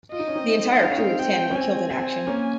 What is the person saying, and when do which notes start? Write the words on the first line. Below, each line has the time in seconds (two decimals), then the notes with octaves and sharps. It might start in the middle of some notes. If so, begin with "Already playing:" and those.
The entire crew of ten were killed in action.
0.12 F4 D#5
0.19 D#4
0.28 C#4
0.35 C4 D#4
0.83 D#4 F5
0.90 C#4
0.98 C4 D#4
1.19 C4 G5
1.51 C#4
1.55 C4 G#5
1.90 C4
2.27 A#3 C#4